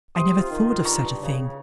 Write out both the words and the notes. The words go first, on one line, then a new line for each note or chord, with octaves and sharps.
'I never thought of such a thing.'
C3 C6 D#6
F4
D#3
F4
G2 A#5 C#6
G2
C#3
C#3